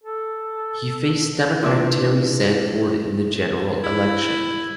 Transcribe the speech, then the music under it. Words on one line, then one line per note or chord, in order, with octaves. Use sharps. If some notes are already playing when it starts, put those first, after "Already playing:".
He faced Democrat Terry Sanford in the general election.
A4
A#2 E3 D4
E4